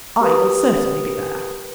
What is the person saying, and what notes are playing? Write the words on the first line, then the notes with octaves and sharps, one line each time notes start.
I will certainly be there.
G4 A#4 B4 D#6